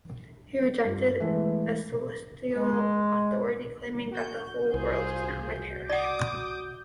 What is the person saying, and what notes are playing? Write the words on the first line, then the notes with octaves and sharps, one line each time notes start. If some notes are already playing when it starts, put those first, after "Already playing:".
He rejected ecclesiastical authority claiming that 'the whole world is now my parish'.
G2 F4
E3 G#3 A3 B3
G#3
F#4 G6
C2 F4 G#4 C5
D5 F#5 D6 D#6